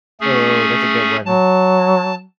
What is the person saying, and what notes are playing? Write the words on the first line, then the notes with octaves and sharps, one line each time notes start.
Oh, that's a good one.
A3 C#4 G#4
F#3 A5